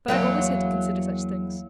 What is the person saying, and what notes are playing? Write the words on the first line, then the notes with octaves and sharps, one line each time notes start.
But I've always had to consider such things.
E2 F#3 A#3